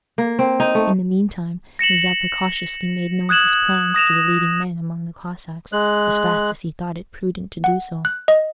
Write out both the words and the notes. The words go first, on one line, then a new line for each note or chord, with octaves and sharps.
In the mean time, Mazeppa cautiously made known his plans to the leading men among the Cossacks as fast as he thought it prudent to do so.
A#3
C4
D#4
A3
A#6 C#7 E7 F#7
D#6 F#6 G#6 E7 F#7
D#6 A#6 E7 F7
G#3 F#6
F#5
F#6
D#5